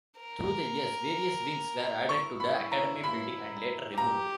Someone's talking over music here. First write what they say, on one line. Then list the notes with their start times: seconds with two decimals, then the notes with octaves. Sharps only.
Through the years, various wings were added to the Academy building and later removed.
0.20 A#4
2.09 E4 C#6
2.40 B5
2.72 A#5
3.04 B5
3.98 G4 A#5